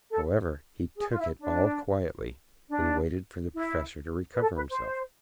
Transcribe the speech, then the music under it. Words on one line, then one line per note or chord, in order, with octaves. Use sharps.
However, he took it all quietly, and waited for the professor to recover himself.
A4
G#4
F4
E4
D4
D4
E4
B4
A4
B4
C5